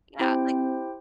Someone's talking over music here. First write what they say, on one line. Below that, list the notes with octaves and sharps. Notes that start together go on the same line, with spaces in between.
Yeah, like
C4 E4 G4 C5 G5